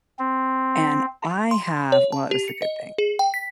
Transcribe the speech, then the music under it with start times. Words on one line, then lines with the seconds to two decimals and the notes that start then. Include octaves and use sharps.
and I have Well, it was a good thing.
0.19 C4
1.51 C6
1.92 C#5
2.12 A5
2.31 G4
2.48 C#7
2.62 D#5
2.98 G#4
3.19 G5
3.34 B6